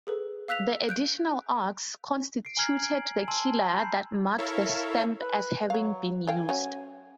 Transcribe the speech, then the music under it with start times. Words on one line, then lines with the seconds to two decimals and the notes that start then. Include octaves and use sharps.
The additional arcs constituted the "killer" that marked the stamp as having been used.
0.07 G#4 A4 B4
0.48 F5 E6 F#6 B6 F7
0.89 F#6 G6 D7
2.45 C7 D7
2.57 G#5 A#5 F6 G#6 C7 F#7
2.81 F6 G#6 D7
3.28 G#5 A5 C6 E6 F#7
3.75 A#5 B5 G6 C7
4.38 E4 A4 A#4 C#5 E5 F5
5.21 B4
5.70 F#3 C#5 F5
6.27 A4 F5 G5 G#5
6.49 F#3 C#4